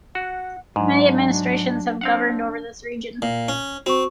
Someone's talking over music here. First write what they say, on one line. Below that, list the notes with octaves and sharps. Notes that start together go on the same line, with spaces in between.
Many administrations have governed over this region.
F#4 F#5
G#2 F#3 D4
C4 D4 F5 F#5
A#2
C#4
C4 F#4 C#6